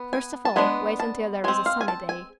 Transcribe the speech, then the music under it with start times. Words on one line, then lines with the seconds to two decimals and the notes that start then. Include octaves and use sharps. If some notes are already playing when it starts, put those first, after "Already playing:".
First of all wait until there is a sunny day.
Already playing: B3
0.13 G#5
0.45 A5
0.56 G#3 B3 D4 G#5
1.00 A5
1.44 G#3 C4 G#5
1.66 F5
1.81 G#5
1.88 A5
2.09 G#5